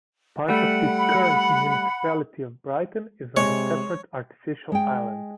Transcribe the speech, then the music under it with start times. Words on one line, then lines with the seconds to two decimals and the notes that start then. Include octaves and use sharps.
Part of the current Municipality of Brighton is on a separate artificial island.
0.49 G3 A3 F#5 B5
3.37 C3 G#3 C#5
4.72 G#3 G5